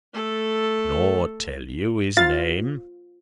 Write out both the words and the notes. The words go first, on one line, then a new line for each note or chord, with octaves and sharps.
"Nor tell you his name?"
A3 A4
F4 F5 A6